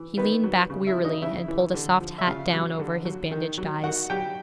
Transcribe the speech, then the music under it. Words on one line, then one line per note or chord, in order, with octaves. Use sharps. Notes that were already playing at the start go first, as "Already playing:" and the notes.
He leaned back wearily and pulled a soft hat down over his bandaged eyes.
Already playing: E3
D#3 B3 B4
F#3
C#3
E4 E5
F#3
D#4 D#5
C#3 E4 E5
E3
D3
F3
E5
C#3 F4 F5
F#3
D3
F#3
D#3
F#3
D#3 F#4 F#5
F#3 G4 G5